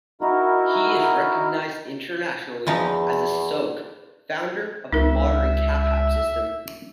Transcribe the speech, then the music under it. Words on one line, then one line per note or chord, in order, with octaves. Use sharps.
He is recognized internationally as a Soke - founder of the modern Kapap system.
D#4 E4 F#4 A#4
E2 E3 F3 D#4
C#2 D#4 A#4 E5